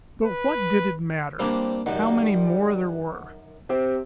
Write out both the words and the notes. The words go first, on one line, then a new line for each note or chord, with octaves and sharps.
But what did it matter how many more there were!
B4
G3 A#3 C4 D4
F#2 D#3 G3 F#5
C3 C4 G4 C5